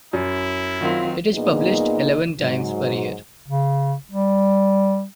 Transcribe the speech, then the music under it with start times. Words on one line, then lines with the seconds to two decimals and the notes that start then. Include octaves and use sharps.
It is published eleven times per year.
0.13 F#2 E4
0.80 D#3 F#3 C4 F4
1.35 A#2 A#3 B3 D#4 G#4 D#5
2.39 G#2 F#3
3.48 C#3
4.11 G3